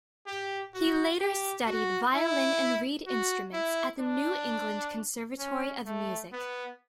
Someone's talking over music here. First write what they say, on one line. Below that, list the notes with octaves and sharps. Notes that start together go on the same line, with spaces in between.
He later studied violin and reed instruments at the New England Conservatory of Music.
G4
F#4
G4
F#4
E4
F#4
E4
D4
C#4
A3
B3